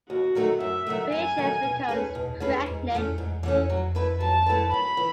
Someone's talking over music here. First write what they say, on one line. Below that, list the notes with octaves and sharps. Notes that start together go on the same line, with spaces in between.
Beatrice becomes pregnant.
D#2 F#4
D#3 F#3 A3 D#4
F#2 E5
D#3 F#3 A3
F#2 G#5
D#3 F#3 A3
B2
A3 C#4 G#4 B4
B2
A3 C#4 G#4 B4
G#2
E3 A3 C#4
G#2
E3 A3 C#4
F#3
A3 E4 B4
F#3 A5
A3 E4 B4
F#2 B5
E3